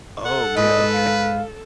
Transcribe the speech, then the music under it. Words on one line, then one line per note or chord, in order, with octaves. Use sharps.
Oh yeah, okay.
A4 F#5
G#2 B4 D#5
F5